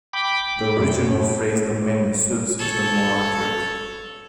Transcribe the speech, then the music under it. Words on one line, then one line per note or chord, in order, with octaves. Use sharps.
The original phrase 'the men in suits' is the more accurate.
G5 B5 D6
F#2
A4 C#5